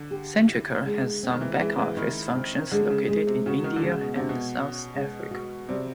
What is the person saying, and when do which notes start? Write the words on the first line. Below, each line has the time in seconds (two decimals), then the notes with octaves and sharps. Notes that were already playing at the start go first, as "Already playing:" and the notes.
Centrica has some back office functions located in India and South Africa.
Already playing: D3
0.11 G4
0.48 E4
0.85 G#3
1.23 C4
1.31 D#3
1.41 E3
1.60 E3 G#3
1.78 E3
1.97 D#3 E4
2.35 C4
2.71 D3 G#3
2.90 C#3
3.08 G#3
3.27 C3
3.46 C#3 F#4
3.64 D#3
3.76 D3
3.82 C#3 G#3
4.01 B2
4.16 C3 F#4
4.29 B2
4.57 C#4
4.94 G#3
5.31 F#4
5.69 C3 G3